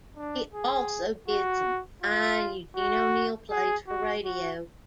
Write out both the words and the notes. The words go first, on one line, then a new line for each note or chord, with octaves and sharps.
He also did some fine Eugene O'Neill plays for radio.
D4
G#4
F#4
F4
F#4
G#4
F#4
F#4